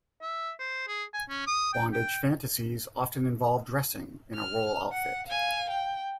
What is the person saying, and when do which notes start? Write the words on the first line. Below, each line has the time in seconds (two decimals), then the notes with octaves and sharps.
Bondage fantasies often involve dressing in a role outfit.
0.22 E5
0.59 C5
0.88 G#4
1.14 G#5
1.30 C#4
1.47 D#6
1.73 G5
1.93 G5
4.35 F6
4.92 F#5
5.27 F5 G#5
5.70 G5